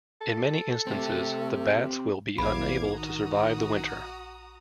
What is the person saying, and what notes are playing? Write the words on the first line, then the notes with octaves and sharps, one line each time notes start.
In many instances the bats will be unable to survive the winter.
A4
A3 C4 G4
A#1 E2 F5 B5 D6 G#6
D#3 F#4 A#5 D#6